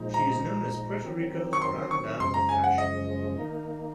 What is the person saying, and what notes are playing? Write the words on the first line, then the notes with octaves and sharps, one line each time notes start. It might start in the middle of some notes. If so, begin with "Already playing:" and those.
She is known as "Puerto Rico's grande dame of fashion".
Already playing: A#2 F3 G#3 D#4
A#5
D#3 F#3 C4
C#6
C6
C#6
F#2 C#3 F3 G#3 C6
A#5
G#5
F#5
D#5
D#3 A#3 D#4